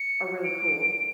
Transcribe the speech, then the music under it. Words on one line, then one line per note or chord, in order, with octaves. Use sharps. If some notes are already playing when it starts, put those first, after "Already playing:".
are really cool.
Already playing: C#7
D7